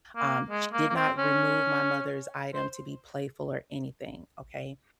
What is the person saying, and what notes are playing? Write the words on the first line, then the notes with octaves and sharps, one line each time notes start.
Um, she did not remove my mother's item to be playful or anything, okay?
A#3
G#3
A#3
A#3
C4
C#4
C5